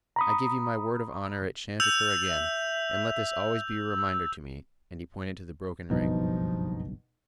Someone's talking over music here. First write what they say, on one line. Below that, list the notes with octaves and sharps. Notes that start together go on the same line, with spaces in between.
"I give you my word of honor it shan't occur again, and let this always be a reminder to me," and he pointed to the broken ring.
A#5 B5 D#6
E6 G6 A6 F7
E5
E6
F#1 B1 G2 B2 F3 D#4